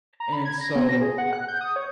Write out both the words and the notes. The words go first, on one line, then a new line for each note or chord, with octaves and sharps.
and so
A#5
B5
G#6
A#6
B3
A#6
G#4
F#5
F#6
G6
D#6
C#5